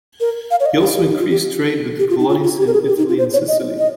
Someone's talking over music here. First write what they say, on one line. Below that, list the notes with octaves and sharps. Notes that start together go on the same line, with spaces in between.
He also increased trade with the colonies in Italy and Sicily.
A#4
F5
C#5
D#5
G4
G4
D#4
F4
G4
G4
F4
D#4
F4
F4
G4
A#4
G#4
G4
D#4
F4
C5
C#5
D#5
D#5